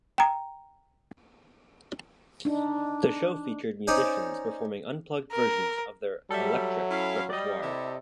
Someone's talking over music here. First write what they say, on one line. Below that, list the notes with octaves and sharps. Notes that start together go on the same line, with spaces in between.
The show featured musicians performing unplugged versions of their electric repertoire.
G5 A#5
D4 D#4
C#4 D#4 C5 D5 D#5
A#4
F#3 G3 A4 E5
C#4 E4 F5
G3 D5 D#5
C3 E4 G4 A4